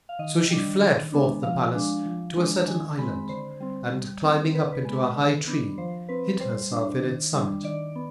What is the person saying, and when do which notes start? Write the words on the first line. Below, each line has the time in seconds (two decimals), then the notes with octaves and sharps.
So she fled forth the palace to a certain island, and climbing up into a high tree, hid herself in its summit.
0.09 F5
0.19 D#3 D#5
0.50 G3 D4
0.81 D#3
1.12 G#3 B3 D4
1.43 F3 F5
1.75 G#3 D4
2.06 F3
2.36 G#3 D4
2.67 D#3 G#5
2.98 G#3 B5
3.03 C4
3.29 D3 C5
3.60 G3 C4
3.92 G3
4.23 C4
4.53 D3 B4
4.73 B4
4.85 G#3 B3
5.16 D#3
5.47 B3 D4
5.78 F3 C5
6.09 C4 B4
6.40 G3 C5
6.72 D4
7.03 D#3
7.33 G3 D4
7.64 D#3 D5
7.96 B3